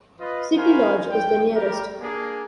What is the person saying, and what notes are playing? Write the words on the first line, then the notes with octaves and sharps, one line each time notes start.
Citylodge is the nearest.
F4 B4 D#5
F#4 A#4 C5 F5 G#5 B5
G5
G3 G4 A#4
A#3 D4 G#4